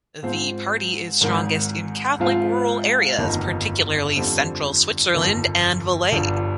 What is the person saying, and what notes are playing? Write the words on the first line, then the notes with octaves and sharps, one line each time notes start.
The party is strongest in Catholic rural areas, particularly Central Switzerland and Valais.
G#2 F3 C4
G#1 G#2 D#3
G#2 F3 C4 F4
G1 F2 D#3 A#3 D#4
F2 D3 G3 C4
G1 F2 D#3
G1 G2 F3